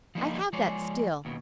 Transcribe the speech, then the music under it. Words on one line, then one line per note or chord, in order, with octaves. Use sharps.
'I have that still.
F3 G3 G#3 A#3 D#4
F3 G#3 G#4 C#5 D5
D#2 B2